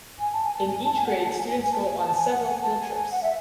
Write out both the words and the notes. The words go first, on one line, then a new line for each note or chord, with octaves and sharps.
In each grade students go on several field trips.
G#5
A5
G#5
A5
G#5
A5
G#5
F#5
A5
G#5
G#5
G#5
A5
G#5
A5
G#5
F#5
G#5
A5
G#5
G#5
F#5
E5